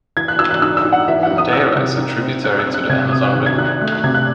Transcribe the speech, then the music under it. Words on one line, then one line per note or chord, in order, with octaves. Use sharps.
The Madeira is a tributary to the Amazon River.
E3 G#6
F#6
E3 E6
F#6
D#4 E6
E6
D#4
F#5
E3 E5
F#5
D#4
D#6
E3 E6
C3
D#4
C4
D#4 F#6
E6
C4
F#6
C3 G#6
F#6
C3 D#6
F#6
D#3 F#6
G#6
D#3 F#6
A3 F#6
F#6
C3 G#6
F#6